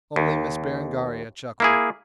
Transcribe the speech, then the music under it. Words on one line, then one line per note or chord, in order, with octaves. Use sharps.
Only Miss Berengaria chuckled.
D#2
A#3 E4 G#4